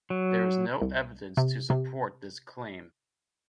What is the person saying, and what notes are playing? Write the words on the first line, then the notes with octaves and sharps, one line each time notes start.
There is no evidence to support this claim.
F#3
C2
C3
C3